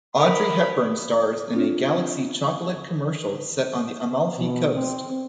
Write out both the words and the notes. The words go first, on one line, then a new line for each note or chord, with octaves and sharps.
Audrey Hepburn stars in a Galaxy chocolate commercial set on the Amalfi coast.
A#4 B5
C4 D4 F4
B2
C4